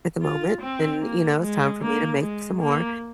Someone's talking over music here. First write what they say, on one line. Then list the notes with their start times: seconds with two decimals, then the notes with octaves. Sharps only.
at the moment and, you know, it's time for me to make some more,
0.22 F4
0.61 C4
1.01 A#3
1.41 G#3
1.81 A#3
2.21 G#3
2.61 A#3